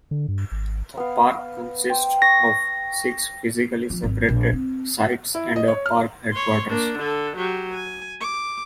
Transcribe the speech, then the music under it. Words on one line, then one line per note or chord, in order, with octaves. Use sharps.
The park consists of six physically separate sites and a park headquarters.
D3
G2
G#1
B3 F5
C5 G5
C#6 A#6
F3
G#1
A#1
C4
E4
D#5
C#5
F6
C#5 C6
A#3 D4
D3 A4
F#3 G4
G#5
D6